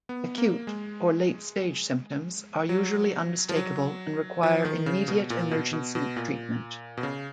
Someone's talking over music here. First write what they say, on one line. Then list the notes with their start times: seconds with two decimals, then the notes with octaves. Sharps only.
Acute or late-stage symptoms are usually unmistakable and require immediate emergency treatment.
0.09 B3
0.38 A#3
0.67 G#3
2.69 F#3
3.49 F3
3.56 F#3
4.43 F3
4.65 D#3
4.86 C#3
5.08 B2
5.30 A#2
5.51 B2
5.73 B2
5.95 B2
6.16 A#2
6.97 B2
7.03 C#3